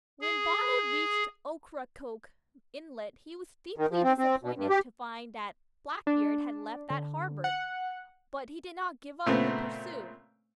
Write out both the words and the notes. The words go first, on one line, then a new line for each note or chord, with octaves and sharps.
When Bonnet reached Ocracoke Inlet, he was deeply disappointed to find that Blackbeard had left that harbor, but he did not give up the pursuit.
G#4
D#3
F3
C4
C4
B2
G2
G4
D4
D3
F#5
A#2 C#3 A3 B3 C4